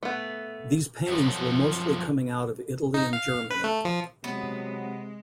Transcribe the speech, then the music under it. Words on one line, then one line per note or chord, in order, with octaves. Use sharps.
These paintings were mostly coming out of Italy and Germany.
A3 B3
F#2 F3
D#4
F5
B4
A3
F3
C3 F#3 G#3 B3